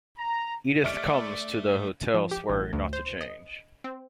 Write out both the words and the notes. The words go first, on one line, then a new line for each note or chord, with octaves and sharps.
Edith comes to the hotel swearing not to change.
A#5
A3 D5 E5 F6 D7
F3
G4
A1
D2
C5
D#5
C4